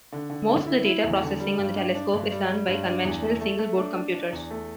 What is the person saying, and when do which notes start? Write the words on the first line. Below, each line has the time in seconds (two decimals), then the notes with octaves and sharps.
Most of the data processing on the telescope is done by conventional single-board computers.
0.12 D3
0.30 D3
0.48 D3
0.66 E4
0.85 E4
1.04 E2
1.22 D3
1.40 G3
1.58 G2
1.76 D4
1.95 D4
2.13 G2
2.32 G3
2.49 G3
2.68 G2
2.85 D4
3.05 E2
3.22 A3
3.41 A3
3.58 A3
3.77 D4
3.96 D4
4.14 D4
4.32 E2
4.50 A3